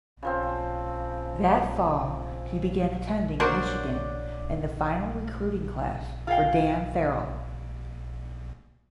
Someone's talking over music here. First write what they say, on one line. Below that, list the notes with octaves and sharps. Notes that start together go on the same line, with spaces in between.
That fall he began attending Michigan in the final recruiting class for Dan Farrell.
C#3 F3 C4
F#3 A#3 D4 F#4 C5 D5
F4 G#4 A#4 F5 G5